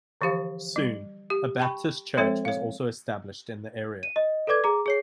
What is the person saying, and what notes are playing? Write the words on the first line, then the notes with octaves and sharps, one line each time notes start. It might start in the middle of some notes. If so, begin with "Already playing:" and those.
Soon, a Baptist church was also established in the area.
D3 E3 F3 G4 F5
G3
G4
G5 A5 B5 C#6
F3 G#3 C4 A4 C5 C#5
C#5 F5
D#7
D#5
A4 B4 D5 D6 G#6
G#4 A#5 D6
G#4 C#5 C7